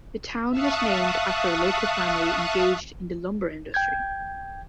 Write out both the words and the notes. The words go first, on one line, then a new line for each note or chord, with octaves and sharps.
The town was named after a local family engaged in the lumber industry.
E5 F5 A5 C#6 D#6 F#6
G5 G6 G#6